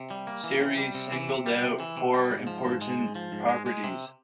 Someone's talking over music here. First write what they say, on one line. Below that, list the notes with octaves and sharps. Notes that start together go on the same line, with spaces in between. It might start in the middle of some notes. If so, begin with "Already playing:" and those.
Serre singled out four important properties.
Already playing: C3
G3
A#3
E3
C3
G3
C3
E3
C3
G3
C3
E3
C3
G3
G#2
F3
G#2
G#3
G#2
F3
G#2
G#3
G#3
C3